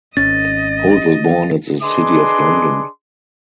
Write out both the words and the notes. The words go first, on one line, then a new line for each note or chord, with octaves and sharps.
Holt was born at the City of London.
G#1 C#4 D#5 A6
D4 G#4 B4 D#5 C6 D6